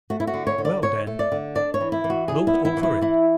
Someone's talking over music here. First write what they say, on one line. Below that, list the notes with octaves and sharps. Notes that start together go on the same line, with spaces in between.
Well then, gloat over it!
A3 F#4
E4
F#4
D3
C#5
D3
D5
D3 C#5
A3
D5
D3
D4 D5
C#5
E3
E4
E3
F#4
D4 G#4
E4
B3
E4
E3
E4
E3 E4